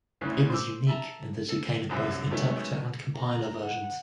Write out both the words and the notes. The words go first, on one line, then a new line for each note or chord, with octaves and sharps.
It was unique in that it came in both interpreter and compiler versions.
G#1 D2 C#3 E3 C#4 F#6
C5 D6 E6
E5 A5 A#5
A4
C2 F#2 C3 E5
D#3 F#3 G#3 A3 B3 C#4
A#5
F#5